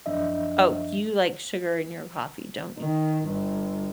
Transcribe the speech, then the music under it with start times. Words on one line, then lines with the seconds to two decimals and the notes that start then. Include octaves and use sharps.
Oh, you like sugar in your coffee, don't you?
0.06 F#2 F3 D4 D#5 E5
2.80 D#3
3.25 G1